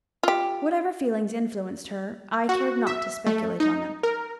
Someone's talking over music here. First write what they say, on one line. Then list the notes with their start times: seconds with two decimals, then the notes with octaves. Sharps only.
Whatever feelings influenced her, I cared not to speculate on them.
0.23 F4 G4
2.49 F#4
2.87 E5
3.27 A3
3.60 D#4
4.03 A#4